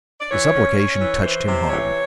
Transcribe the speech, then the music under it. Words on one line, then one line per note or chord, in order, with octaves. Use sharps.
The supplication touched him home.
D5
E3 C#5
C#4
C#4 C#5
E3
E3 C5
C3
E3 C#5